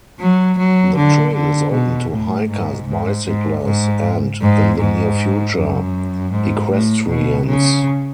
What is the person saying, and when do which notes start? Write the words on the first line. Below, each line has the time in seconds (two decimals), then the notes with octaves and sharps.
The trail is open to hikers, bicyclers, and, in the near future, equestrians.
0.20 F#3
0.58 F#3
0.96 D3
1.34 D3
1.73 B2
2.11 A2
2.49 G#2
2.88 G#2
3.26 G#2
3.65 G#2
4.41 G#2
4.79 G#2
5.55 F#2
6.32 G#2
6.70 A2
7.08 B2
7.46 C#3